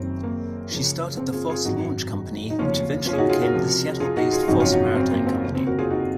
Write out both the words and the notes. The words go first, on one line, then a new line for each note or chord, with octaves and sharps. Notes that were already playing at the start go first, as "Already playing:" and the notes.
She started the Foss Launch Company, which eventually became the Seattle-based Foss Maritime Company.
Already playing: F#1 F#2 D#3 C4
A#3
C#2 C#3 F3
C4
F4 G#4
F4 G#4
G#1 F#2 D#3 D#4 F#4
D#4
F1 D#2 C#3 F3 C#4 F4
C#4 F4
G#4
D#4 F#4
F4 G#4
F#4 A#4
C#2 C3 F3
F4 G#4
D#4 F#4
F4 G#4
F4
G#1 F#2 C#3 F3 D#4 F#4
C#4 F4
D#4 F#4
C4
A#3
C4
F1 D#2 C#3
C4
F#4 A#4
F4 G#4
D#4 F#4